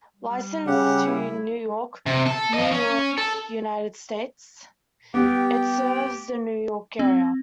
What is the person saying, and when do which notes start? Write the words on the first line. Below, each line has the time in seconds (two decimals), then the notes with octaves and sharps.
Licensed to New York, New York, United States, it serves the New York area.
0.17 G3
0.67 C#3 G4 F#5
1.06 E4
2.06 C3
2.26 A4
2.54 F3 D#5
2.72 C#4
3.18 A4
5.14 G3 B3 G4 G5
6.99 C4